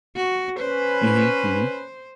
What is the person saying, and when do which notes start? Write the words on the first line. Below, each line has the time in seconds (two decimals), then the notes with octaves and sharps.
Mhm, mhm.
0.16 F#4
0.59 C#4 B4 C5